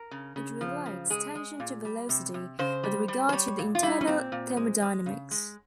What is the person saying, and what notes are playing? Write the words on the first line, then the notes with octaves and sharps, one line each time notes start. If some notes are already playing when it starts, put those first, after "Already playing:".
It relates tension to velocity with regard to the internal thermodynamics.
Already playing: A#4
C#3
C#3
F3
C#3
G#3 G#4
G#3
A#2
G3
C3
C3
C#3 C5
G3
G3
C5
G3 C#5
A#2
F4
G3 E4
C#4
A#2 C4
A#2
G#3
G#3
C#3
G#3